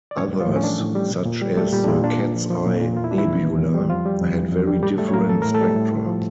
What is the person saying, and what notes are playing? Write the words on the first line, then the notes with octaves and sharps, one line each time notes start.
Others, such as the Cat's Eye Nebula, had very different spectra.
D5
A2 C#4 C#5
G3
F3 F4
A2
C#4
E3 D4
A2
G3
A#2
A#2
G3
G3 A3 A4
A#2 G3 G4
D4
A#2 E3 E4
A#2 D4
A#2
F3
F3
A#2
A#2
E2 F4
E4
G3 D4
E3 E4
E2
E3
E2
G3
F2 F3 F4
G3
F2
E3
F2
G3
A2 G3 G4
G3 A3 A4
C#5
A2 A#3 A#4
E3 A4
A2 A#4
A3 A4
G3
A2
A2
F3